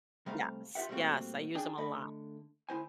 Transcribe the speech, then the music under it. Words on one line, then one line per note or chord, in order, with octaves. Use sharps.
Yes, yes. I use 'em a lot.
C3 G3 A3 F5 A#5
F4 G4 B4 E5 F#5
A#2 G3 A3 A#3 C4 F#4
D4 G#4 D5 G5 G#5
D3 A3 D#5 B5
D2 E4 C5 G#5